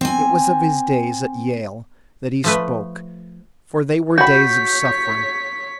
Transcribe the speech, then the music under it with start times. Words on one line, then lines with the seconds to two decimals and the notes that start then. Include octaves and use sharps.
It was of his days at Yale that he spoke, for they were days of suffering.
0.01 C4 G#5
2.44 F3 A3 B4
4.18 F#4 C#5 B5 G6 B6